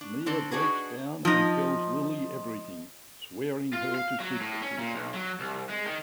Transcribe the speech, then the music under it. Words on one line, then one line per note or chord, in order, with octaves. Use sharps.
Mia breaks down and tells Lilly everything, swearing her to secrecy.
D4
D3 C4 D4 A4
D4 D#4 F#4 G#4 B4
F3 D#4
F4
F5
F#3
A2
C#4
A#2
B1
F#3
C2
G#3
D#3